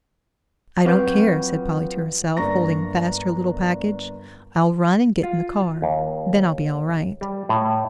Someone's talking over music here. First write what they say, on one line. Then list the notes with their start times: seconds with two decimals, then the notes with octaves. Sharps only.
"I don't care," said Polly to herself, holding fast her little package. "I'll run and get in the car--then I'll be all right."
0.85 F2 F#3 B4 F5 D6 G6
2.37 G1 A#3 D4 A#5 C#6 A#6
5.23 F4
5.82 D#2
7.21 G3
7.49 A2